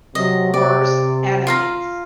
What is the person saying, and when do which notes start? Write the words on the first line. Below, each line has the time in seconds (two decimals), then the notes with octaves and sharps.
worst enemies
0.15 C3 F#3 D#5
0.54 C3 D5
1.47 F4 F5 A#5